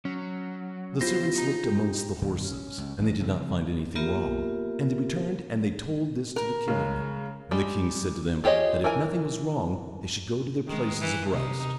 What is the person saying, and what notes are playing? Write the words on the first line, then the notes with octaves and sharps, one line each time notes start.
The servants looked amongst the horses, and they did not find anything wrong; and they returned and they told this to the king, and the king said to them that if nothing was wrong they should go to their places of rest.
F#3 C#4
B3 E4 F4 G4 C5 A#6
D#4 A#5
G4
G2 B2 D#3
C#4
C#2
G1 G#2 E3 G#3
C#3 F3 G#3 C4
A#3 B3 F4 G4 A#4 E5
A#4
C#3 G#3
G3 G#3
F4 G4 G#4 C#5 D#5
E3 A#4 G#5
D#3 G#3
E3
C3 D#4